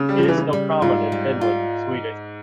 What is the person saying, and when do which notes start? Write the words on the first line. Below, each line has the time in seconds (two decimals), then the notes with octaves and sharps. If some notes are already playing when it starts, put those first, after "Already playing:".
It is still common in Finland Swedish.
Already playing: C#3
0.09 G3
0.18 F3
0.23 G3
0.28 E3
0.38 C#3
0.53 G3
0.82 G#2 F4
1.12 G3
1.41 F4